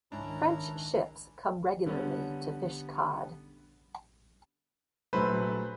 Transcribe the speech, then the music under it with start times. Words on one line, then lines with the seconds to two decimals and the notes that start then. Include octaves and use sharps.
French ships came regularly to fish cod.
0.12 C#2 G#2 D#3 C#4 D4 E4 A#5
1.86 D3 G3 B3 C#4
5.13 A#1 F#3 A3 B4 C5 B5